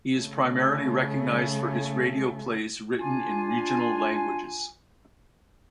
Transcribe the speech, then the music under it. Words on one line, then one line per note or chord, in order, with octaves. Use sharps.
He is primarily recognized for his radio plays written in regional languages.
C#3 A3
D4 F4 G#5